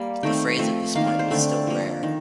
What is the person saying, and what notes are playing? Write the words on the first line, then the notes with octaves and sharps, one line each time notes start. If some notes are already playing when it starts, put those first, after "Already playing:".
The phrase at this point was still rare.
Already playing: G3 A#3
D#3 A3 C4 G5
F3 A3 C4
D#3 A#3 F5
D5
C5
D3 A3 C4 D5
F3 A#3
D#3